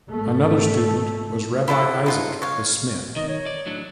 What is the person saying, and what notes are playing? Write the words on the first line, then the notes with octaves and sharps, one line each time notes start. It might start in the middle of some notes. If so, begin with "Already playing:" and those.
Another student was Rabbi Isaac the smith.
G#1 A3
E4 F4 A4 F#5
D#4 F4 F#5
C#5 F5
D#3 D#5
C#5
D5
A2 F#3 D4